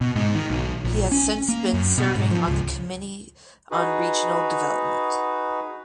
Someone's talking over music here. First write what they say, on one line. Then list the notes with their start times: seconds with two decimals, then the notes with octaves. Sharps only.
He has since been serving on the Committee on Regional Development.
0.01 B2
0.16 G#2
0.35 D#3
0.50 B1
0.84 A#1
1.12 C#4
1.48 A#3
1.73 F#2
1.98 B2
2.15 G#2
2.31 F3
2.47 C#2
3.71 D#4 F#4 G#4 B4